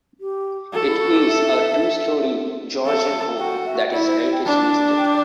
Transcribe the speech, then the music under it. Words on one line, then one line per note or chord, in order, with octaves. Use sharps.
It is a two-storey Georgian home that is heritage-listed.
G4
F#4 A4
E4
F#4
G4
E5
A4 E5
F#4 G5
E5
E4 D5
C5
D5
G5
D4 A5
G5